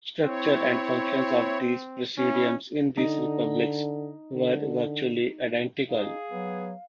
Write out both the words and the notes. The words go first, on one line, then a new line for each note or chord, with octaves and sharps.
Structure and functions of the presidiums in these republics were virtually identical.
C4 E4 C#5
C#4 E4
D3 D#4
D3
D#4 G#4 F5
F#3 B3